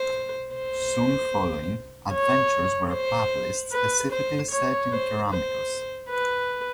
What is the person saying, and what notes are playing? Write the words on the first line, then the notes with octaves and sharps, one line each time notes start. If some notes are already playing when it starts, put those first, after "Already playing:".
Soon following, adventures were published specifically set in Karameikos.
Already playing: C5
C5
C#5
C5
B4
C5
C#5
C5
C5
B4